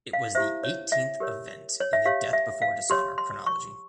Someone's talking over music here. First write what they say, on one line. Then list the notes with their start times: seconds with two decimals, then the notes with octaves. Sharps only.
It was the eighteenth event in the Death Before Dishonor chronology.
0.13 F5
0.35 E4 G4 C5 E5
0.64 C#5
0.92 E5
1.20 G4 A#4 C#5
1.80 C#5
1.93 E5
2.05 G4 C#5 F5
2.33 E5
2.62 F5
2.90 G4 C#5 C6
3.18 C6
3.46 C#6